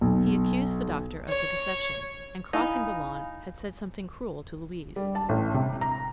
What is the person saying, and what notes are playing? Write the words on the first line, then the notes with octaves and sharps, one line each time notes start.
He accused the doctor of the deception, and, crossing the lawn, had said something cruel to Louise.
B1
C#5
D#4 E4 F5 G#5 B5
G3
A5
A1
C3
A#5